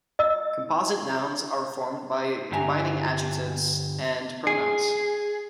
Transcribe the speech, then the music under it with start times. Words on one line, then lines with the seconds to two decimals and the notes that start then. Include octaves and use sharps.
Composite nouns are formed by combining adjectives and pronouns.
0.19 D#5 E6
2.52 G2 D3 G4 E5 G#5 A#5
4.47 G#4